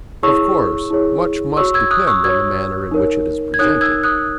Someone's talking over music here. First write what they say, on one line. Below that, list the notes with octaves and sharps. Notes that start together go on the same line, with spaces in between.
Of course much must depend on the manner in which it is presented.
E4 G#4 C#5 C#6 E6
E4 G#4 C#5
F#4 C#5 C#6 E6
E6 G#6
D#6 F#6
C#6 E6
F#4 C#5 E6 G#6
D#4 A#4 C#5
G#6
D#4 A#4 C#5 D#6 F#6
E6 G#6
D#6 F#6